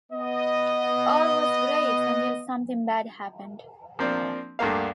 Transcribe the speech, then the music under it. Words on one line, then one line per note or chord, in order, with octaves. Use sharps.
All was great until something bad happened.
B3 D#5
F3 A#3 C4 D4
D2 G2 D3 A#3 F5